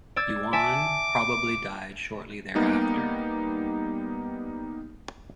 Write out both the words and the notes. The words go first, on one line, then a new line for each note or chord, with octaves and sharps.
Yuan probably died shortly thereafter.
D5 E6 G#6
E5 G#5 A5 D6
G3 A#3 B3 D#4 G4